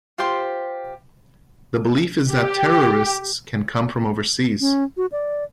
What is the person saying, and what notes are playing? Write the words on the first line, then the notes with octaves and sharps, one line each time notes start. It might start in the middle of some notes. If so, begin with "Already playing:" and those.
The belief is that terrorists can come from overseas.
F4 G4 C5 C6
G4
C#4
F#4
D5